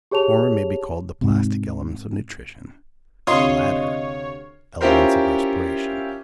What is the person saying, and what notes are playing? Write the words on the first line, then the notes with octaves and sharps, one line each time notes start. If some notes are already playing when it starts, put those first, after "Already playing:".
The former may be called the plastic elements of nutrition; the latter, elements of respiration.
G4 G#4 C#5 A5 F7
G#2 C3
D2 C3 F4 C#5 D#5 C6
C#4 E4 F4 G4 A#4 C5